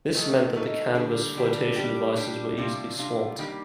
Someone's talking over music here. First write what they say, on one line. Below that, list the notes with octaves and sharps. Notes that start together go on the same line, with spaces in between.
This meant that the canvas flotation devices were easily swamped.
D#3 A3 D#4
D#3 A3 D#4
D3 G3 D4 G4
D3 G3 D4 G4
G3 D4 G4
G3 D4 G4
C3 G3 D4 F4
C3 G3 D4 F4
D#3 G3 A#3 D4 G4